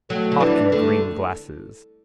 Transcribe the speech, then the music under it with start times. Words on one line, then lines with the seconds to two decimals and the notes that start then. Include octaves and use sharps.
Hock in green glasses.
0.10 F#3 A3
0.32 D3
0.40 E3 D4
0.71 D3 A3